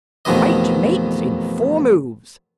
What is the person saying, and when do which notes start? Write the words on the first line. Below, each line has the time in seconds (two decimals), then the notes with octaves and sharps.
"White mates in four moves."
0.25 A1 F2 B2 D#3 D#5